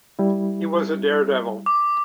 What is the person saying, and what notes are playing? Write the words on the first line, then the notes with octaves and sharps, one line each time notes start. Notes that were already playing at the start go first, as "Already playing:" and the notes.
He was a daredevil.
G3 E4
D6